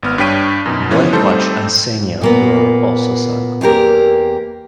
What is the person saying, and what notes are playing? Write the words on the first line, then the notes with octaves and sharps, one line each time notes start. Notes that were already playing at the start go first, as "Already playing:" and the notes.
"Black Watch" and "Senja" were also sunk.
G#1 B3 F6
G2 D4 C#5 G5 B6 D#7
F#2 B2 D#4
E3 F3 B3 C#4 F4
G3 A3 C4 D#4 A4 C5
A#2 A#3 B3
E2 A#3 G4 A#4